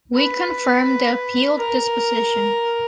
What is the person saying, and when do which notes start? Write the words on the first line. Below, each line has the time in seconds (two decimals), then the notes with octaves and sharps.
We confirm the appealed disposition.
0.15 B4
1.58 A#4